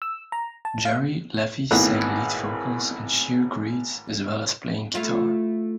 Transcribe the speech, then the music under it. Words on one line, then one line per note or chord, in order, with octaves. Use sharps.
Gerry Laffy sang lead vocals in Sheer Greed, as well as playing guitar.
E6
A#5
A5
F5
G#1 A2 A#3 B3 D#4 F#6
A3 E4 F4